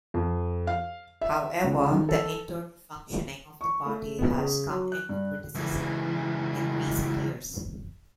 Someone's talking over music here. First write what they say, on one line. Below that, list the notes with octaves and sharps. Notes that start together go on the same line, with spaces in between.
However, the internal functioning of the party has come into criticism in recent years.
F2
F5
E5
C#2
D#3
A4
C#6
A3
B3
C#3
F#3
F#6
G2
C#2 E3